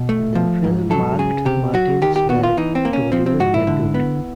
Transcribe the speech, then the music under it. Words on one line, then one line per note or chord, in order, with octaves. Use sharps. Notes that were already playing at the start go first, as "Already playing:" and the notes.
The film marked Martin's directorial debut.
Already playing: B2
A3
F3
G#2
F#3 A4
C#3 G#4
C3 G4
F#3 F#4
D#3 G4
G4
B3 F#4
F4
E3 D#4
C4
A#3
C#4
F3 C4
C4
G#2 F#4
E4
D3
B3